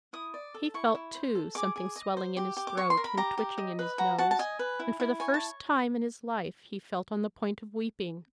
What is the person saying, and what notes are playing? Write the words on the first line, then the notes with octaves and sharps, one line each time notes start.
He felt, too, something swelling in his throat and twitching in his nose, and for the first time in his life he felt on the point of weeping.
E4 D#6
D5
A4
E4 C#6
E4
C5
A4
G#4 D6
G#4
D#5
C5
G4
G4
D6
C#5 C#6
C6
A#4
B5
G4 A#5
G4
D#5
B4
F#4 A#5
F#4 A5
A5
D#5 G#5
B4
E4
E4
C#5 G#5
A5